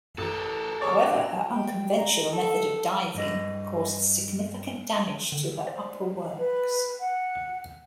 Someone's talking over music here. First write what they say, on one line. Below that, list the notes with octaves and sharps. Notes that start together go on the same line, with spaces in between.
However, her unconventional method of diving caused significant damage to her upper works.
A1 A4 A#4
G#4 C#5 D5
C4 D4 F#4
G5
A#5
A4
G2 D#5
D3
C5 D5
B4
F#5